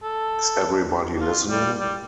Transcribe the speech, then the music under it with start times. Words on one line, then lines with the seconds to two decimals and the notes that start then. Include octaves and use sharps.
Is Everybody Listening?
0.03 A4
1.20 F4
1.50 G3
1.79 G3